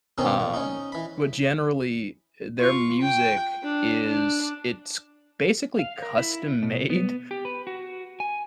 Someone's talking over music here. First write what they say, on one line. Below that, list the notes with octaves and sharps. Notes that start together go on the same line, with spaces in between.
Um, but generally, eh, their music is it's basically custom made
B2 D#3 C4 C#4 D#4
A#2
C#4 D#4
E3 B5
F4 C#6
G5
D4
D4
F5
A#4
E4
B2
B3
G4
B4
F#4
G#5